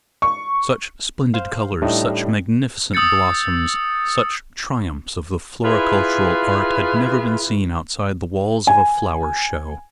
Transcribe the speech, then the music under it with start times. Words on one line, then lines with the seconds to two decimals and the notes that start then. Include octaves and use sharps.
Such splendid colors, such magnificent blossoms, such triumphs of the floricultural art, had never been seen outside the walls of a flower show.
0.22 C#6
1.34 C5 F5
1.82 A2 G3 D4 D#4
2.94 D#6 E6 G6 A6 C#7
5.64 E4 F4 G#4 B4
8.67 G#5